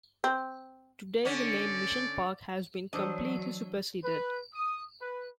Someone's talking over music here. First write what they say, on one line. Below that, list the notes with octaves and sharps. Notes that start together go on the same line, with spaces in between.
Today, the name Mission Park has been completely superseded.
C4
D3 C#4 D5
E3 F#3 D4 C5 D#5 E6 D#7
B4
D#6
B4